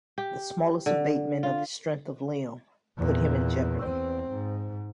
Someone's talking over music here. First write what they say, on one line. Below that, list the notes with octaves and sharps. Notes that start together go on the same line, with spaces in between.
The smallest abatement of his strength of limb put him in jeopardy.
G4
D3
F4
E2 A#2
E2 C4
G#2